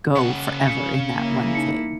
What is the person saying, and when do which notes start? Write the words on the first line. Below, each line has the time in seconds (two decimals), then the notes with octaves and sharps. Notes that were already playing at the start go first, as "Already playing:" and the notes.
go forever in that one thing,
0.16 C#3 F#5
0.67 C#3 C#7
1.17 A#3 E4
1.55 D#4 C#7